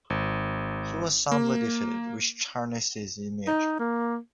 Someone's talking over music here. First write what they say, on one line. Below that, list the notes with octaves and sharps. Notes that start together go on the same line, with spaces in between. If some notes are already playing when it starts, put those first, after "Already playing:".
He was soundly defeated, which tarnished his image.
G#1
A#3
D#4
A#3